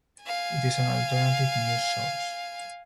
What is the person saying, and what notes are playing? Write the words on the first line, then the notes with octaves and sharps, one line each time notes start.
It is an alternative-news source.
F5 G#5